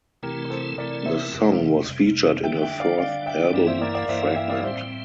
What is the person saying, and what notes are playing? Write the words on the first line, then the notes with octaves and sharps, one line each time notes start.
The song was featured in her fourth album "Fragment".
C3 E3 A3 C4 E4 G4 A#4
A4 C5
C3 E3 A3 C4 E4 A#4 D5
C5 E5
F2 C3 G3
F2 C3 G3
D3 G3 D4 E5 G5
E5 G5
D5 F5
D3 G3 D4 D5 F5
E5 G5
G2 E3 A#3 E4 D5 F5
C5 E5
A#4 D5
D5 F5
G2 E3 A#3 E4 C5 E5
D5 F5
E5 G5
D5 F5
A2 G3 C4 C5 E5